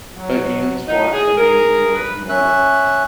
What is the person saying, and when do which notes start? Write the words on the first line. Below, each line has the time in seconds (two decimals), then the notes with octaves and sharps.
But Ian's watch remains in working order.
0.17 F#3
0.87 F#2 B3 D#4
1.12 G#4
1.38 G#4 A#4
1.95 B4
2.29 C#4 E5 F#6